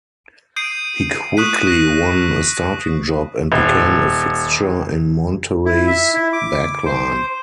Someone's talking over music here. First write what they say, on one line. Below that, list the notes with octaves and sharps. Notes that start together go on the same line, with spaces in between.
He quickly won a starting job and became a fixture in Monterrey's backline.
D#6 G6 C7 D7 D#7
C#6 D#6 F#6 B6 D#7
A#6
D#1
E4
E5
E4
D6
C5